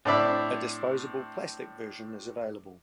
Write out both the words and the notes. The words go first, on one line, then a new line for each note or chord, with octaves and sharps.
A disposable plastic version is available.
A2 C4 D4 D5 E5 B5